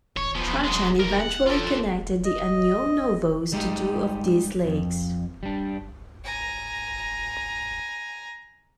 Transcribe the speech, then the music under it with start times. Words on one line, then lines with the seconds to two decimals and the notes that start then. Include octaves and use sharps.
Trajan eventually connected the Anio Novus to two of these lakes.
0.17 C#5
0.36 F3 B3
0.64 F#3 G#3
1.00 B1 A#4
1.20 F#5
1.47 F4 A4
2.25 D#5
3.52 G3 G#3 D#4 G4
4.65 F2
5.43 G3 D4
6.24 G#5 A#5